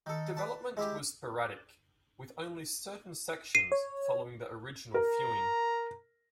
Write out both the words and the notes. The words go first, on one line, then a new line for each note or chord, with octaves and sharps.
Development was sporadic with only certain sections following the original feuing.
D#3 A4
B4 A5
G#3 E4 G4
C7 D#7
C#5
A#4 A#5